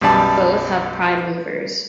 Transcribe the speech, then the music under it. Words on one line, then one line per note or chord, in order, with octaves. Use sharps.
Both have prime movers.
B1 F#2 G3 D5 A5